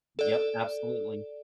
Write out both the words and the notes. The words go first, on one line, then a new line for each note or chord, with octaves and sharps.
Yup, absolutely.
A4 D5